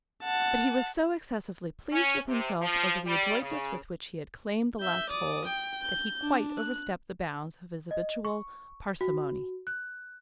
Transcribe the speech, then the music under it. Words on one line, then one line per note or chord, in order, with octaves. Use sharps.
But he was so excessively pleased with himself over the adroitness with which he had claimed the last hole, that he quite overstepped the bounds of his habitual parsimony.
F#5 A5
C#4
C3
F3
G3
C#3
E5 G6
D5 D#6
G5
G6
D4
F#6
D#5
C#6
F#4
F#6